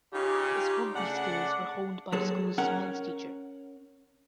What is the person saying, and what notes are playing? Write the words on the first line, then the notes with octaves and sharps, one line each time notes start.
His rugby skills were honed by the school's science teacher.
C#3 D#4 F4 G4
C#3 A3 D4 F#5
F#3 G#4 A4
C#4 A#4 F#5